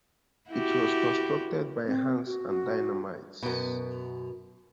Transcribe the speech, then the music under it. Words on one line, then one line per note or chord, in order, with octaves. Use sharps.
It was constructed by hands and dynamites.
E4 F#4 G4
C4
F#4
F#4
F#2 B2